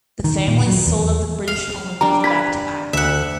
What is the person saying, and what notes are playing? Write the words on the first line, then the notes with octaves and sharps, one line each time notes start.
The family sold up the British home and moved back to Ireland.
D#3
A#2
F#3
E2
F5
G3 D4 A#5
B4 B5 G#6 B6
D2 E5 F#5